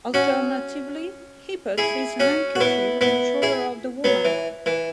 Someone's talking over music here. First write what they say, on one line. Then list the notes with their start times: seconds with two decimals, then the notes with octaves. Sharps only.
Alternatively, he puts his handkerchief on the shoulder of the woman.
0.14 C#4 F#4
1.78 E4 G#4
2.20 C#4 F#4
2.55 F#4
2.60 B3 E4
3.01 B3 E4
3.42 E4 G#4
4.04 F#3 B3
4.25 E3
4.66 E3